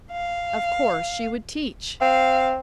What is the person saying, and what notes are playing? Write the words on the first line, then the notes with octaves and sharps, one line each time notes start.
Of course she would teach!
F5
C4 F5